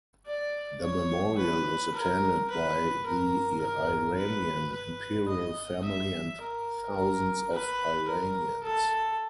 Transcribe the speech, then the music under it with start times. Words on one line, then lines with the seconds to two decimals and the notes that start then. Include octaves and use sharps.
The memorial was attended by the Iranian imperial family and thousands of Iranians.
0.27 D5
0.83 C#5
1.38 B4
1.95 A#4
2.50 B4
3.06 A#4
3.61 A#4
4.17 B4
4.73 B4
5.29 D#5
5.85 E5
6.41 A#4
6.96 A#4
7.52 B4
8.08 A#4
8.64 A4